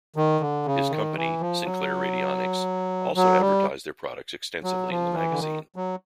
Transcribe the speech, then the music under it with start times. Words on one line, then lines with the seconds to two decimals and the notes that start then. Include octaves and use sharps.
His company, Sinclair Radionics, also advertised their products extensively in the magazine.
0.16 D#3
0.40 D3
0.66 C#3
0.90 D#3
1.15 E3
1.41 F3
1.65 F#3
3.15 F#3
3.40 G3
4.64 F#3
4.90 F3
5.14 E3
5.31 D3
5.40 D#3
5.76 F#3